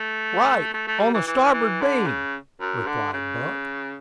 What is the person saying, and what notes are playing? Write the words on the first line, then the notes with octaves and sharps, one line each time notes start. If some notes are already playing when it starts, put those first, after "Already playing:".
"Right on the starboard beam," replied Buck.
Already playing: A3
A3
A3
G3
E3
E3
E3
D3
C#3
F#2
D3
C#3